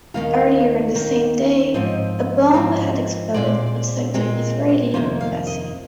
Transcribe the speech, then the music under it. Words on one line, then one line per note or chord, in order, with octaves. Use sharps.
Earlier on the same day, a bomb had exploded outside the Israeli embassy.
D#2 D#3 A#3 F5
D#2 D#3 A#3
G#2 F3 C4 D#5
G#2 F3 C4
A#2 G#3 C4 D5
A#2 G#3 C4
F2 C3 D#3 A#3 C5
F5
D#5